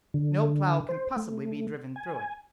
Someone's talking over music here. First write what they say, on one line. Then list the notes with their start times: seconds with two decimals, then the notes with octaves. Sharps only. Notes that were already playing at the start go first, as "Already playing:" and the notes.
No plough can possibly be driven through it.
0.14 D3
0.89 C5
1.16 A3
1.96 G#5